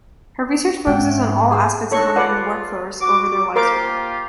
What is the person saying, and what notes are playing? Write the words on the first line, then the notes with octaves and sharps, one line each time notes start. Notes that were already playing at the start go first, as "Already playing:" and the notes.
Her research focuses on all aspects of women in the workforce over their lifespan.
G#2 E5 F#5 G5
G#4 C5 G#5
D4 D#4 F#4 A4 C#5 C#6
F4 B4 D5 F#5
F#4 D6
A#3 F4 G4 A#4 C5 D6